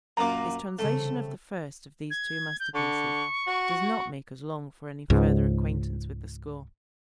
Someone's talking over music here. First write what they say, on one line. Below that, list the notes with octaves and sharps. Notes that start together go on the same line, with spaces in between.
His translation of the first of these two masterpieces does not make us long for any further acquaintance with the school.
F#2 A#2 A#3 A#5 D6
C#3 G3 A3 C4
G#6
G6
D3 C#6
F#4
C#2 G#2